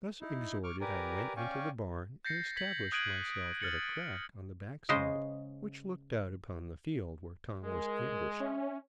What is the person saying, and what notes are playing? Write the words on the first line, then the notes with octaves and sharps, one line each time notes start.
Thus exhorted, I went into the barn and established myself at a crack on the back side, which looked out upon the field where Tom was ambushed.
D#4 E4
C#6 D6 F6
G4 A#4 B4 D5 G#5 A#5
C#4 D5 F5 G5 G#5 C#6
G6 A6 A#6 C7 C#7
G#6 B6 F#7
D#6 F#6 G#6 D7 D#7 F#7
F6 A6 C#7 F#7
C#3 G#3 C5 D#5
G#3 A#4
C#4 E5